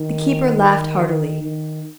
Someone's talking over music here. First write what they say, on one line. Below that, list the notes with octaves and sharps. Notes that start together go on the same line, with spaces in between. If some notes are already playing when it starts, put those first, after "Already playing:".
The keeper laughed heartily.
Already playing: D#3
D#3